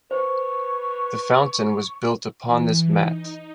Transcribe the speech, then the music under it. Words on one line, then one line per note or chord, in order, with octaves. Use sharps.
The fountain was built upon this mat.
B4 C5 C#6
E3
D#4